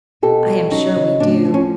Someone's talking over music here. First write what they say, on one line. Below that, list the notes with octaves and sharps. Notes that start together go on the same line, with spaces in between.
I am sure we do.
B2 G4 A4
F#3
F#3 C#4 D#4
C#3
A2 D4
F3
C#4